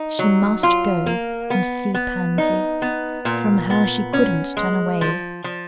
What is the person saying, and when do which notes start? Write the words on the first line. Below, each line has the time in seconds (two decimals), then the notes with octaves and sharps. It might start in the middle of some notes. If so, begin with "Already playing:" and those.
She must go and see Pansy; from her she couldn't turn away.
Already playing: D#4
0.19 F#3
0.63 F4
1.06 A#3
1.50 B3
1.95 B3
2.38 D#4
2.82 B3
3.25 A#2
3.70 B3
4.13 C#4
4.57 G#3
5.01 F3
5.44 F3